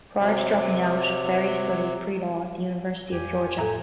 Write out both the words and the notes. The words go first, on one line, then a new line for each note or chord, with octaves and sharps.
Prior to dropping out, Berry studied pre-law at the University of Georgia.
C3 F#3
F2 A#2 G4 G#5
A2 A4 A#5